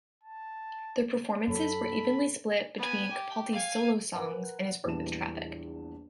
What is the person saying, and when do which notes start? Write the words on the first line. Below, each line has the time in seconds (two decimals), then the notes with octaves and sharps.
The performances were evenly split between Capaldi's solo songs and his work with Traffic.
0.23 A5
1.48 F#2 F#3 A4 B5
2.78 B3 G#5
3.12 G4
3.52 F5 G#5
4.13 A#4 B4 F#5 G#5 A#5
4.84 A#1 E2 E3 G3 A5 E7